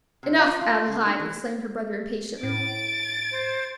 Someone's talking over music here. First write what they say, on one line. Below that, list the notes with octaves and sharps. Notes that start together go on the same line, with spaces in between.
"Enough, Adelaide!" exclaimed her brother, impatiently.
C3
F4
F4
C#3
D#4
E3
A2 A6 D7
C5